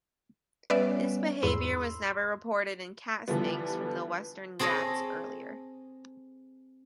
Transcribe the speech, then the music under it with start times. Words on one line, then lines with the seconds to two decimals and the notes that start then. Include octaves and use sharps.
This behavior was never reported in cat snakes from the Western Ghats earlier.
0.70 G3 B3 C#4 B4 D5 E5
1.43 E2 G#2 B5 C6 E6
3.28 D3 E3 F3 G3 B3
4.59 C4 G#4 A4 C#5 D#5